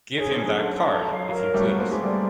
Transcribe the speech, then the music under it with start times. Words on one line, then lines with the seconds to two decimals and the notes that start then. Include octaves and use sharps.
Give him that card if you please.
0.18 C#4 D#4 G#4
0.31 C4 D4
0.37 G#4
0.42 F#3 G#3
0.55 A4
0.74 A4
0.92 F#3 A#5
1.11 F#3 F5
1.29 F#3 A#4
1.48 F#4
1.54 G3 A3
1.67 A3 B3 F#4
1.79 A#3 C4
1.85 B4
1.91 G#3 A#3
2.03 G3 A3 D5